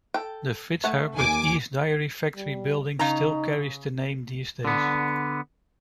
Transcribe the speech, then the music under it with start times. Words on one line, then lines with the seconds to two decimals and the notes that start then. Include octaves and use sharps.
The Fitzherbert East Dairy Factory building still carries the name these days.
0.14 A4 G5
0.84 A3 F#5
1.15 D#2 G#5 D6
2.36 G3
2.99 C#3 D#4 A#5
4.65 D3 B3